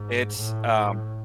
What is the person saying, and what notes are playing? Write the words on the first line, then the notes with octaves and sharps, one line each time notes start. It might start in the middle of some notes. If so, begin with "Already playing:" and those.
it's, um
Already playing: G#2
A2